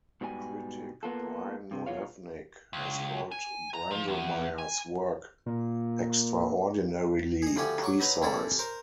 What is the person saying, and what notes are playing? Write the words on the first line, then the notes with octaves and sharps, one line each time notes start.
Critic Brian Olewnick has called Brandlmayr's work "extraordinarily precise".
G#2 B2 G3 A4 G#5
A#3 B3 F4 A4
G2 C3
B2 F#3 F4 C#5 F5
C#2
G#5
A#5
F3
E2
G#5
A#2
G#4 D#5
D2 F3 G3 F#4 G4 G#5
F#3 C#6 D6
F#3 D#4 B4 A#5
G3 C4 E4 G#4 A4
A#4 C5